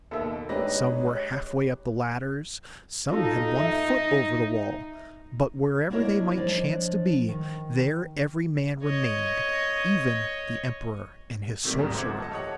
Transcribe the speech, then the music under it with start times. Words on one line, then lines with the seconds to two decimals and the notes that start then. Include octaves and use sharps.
Some were half way up the ladders, some had one foot over the wall, but wherever they might chance to be there every man remained, even the emperor and his sorcerer.
0.11 D#2 B2 A4 E5
0.49 G#3 D4 D#4 G4 B4 C#5 A#6
3.12 D#4 F4 A4
3.59 E5
5.90 A#3 D4 E4 A#4 C#5 D#5
6.35 F3 D4 C#5 D#5
7.28 D#3
8.84 C#5 D#5
11.63 A2 C3 D#3 F#3 G3 A#3
11.77 D#1 G#1 G#2 C#3 G3 A#4
11.95 C5 E5 F#5 C6 D6 G#6
12.07 F3
12.20 A4 D#5 A5
12.31 G4 A4 C#5 D#5 F#5